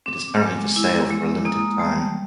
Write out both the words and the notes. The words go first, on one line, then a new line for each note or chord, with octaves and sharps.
It is currently for sale for a limited time.
C4 D6
G#3
E4
G#3
A#3 D#6
G3 A5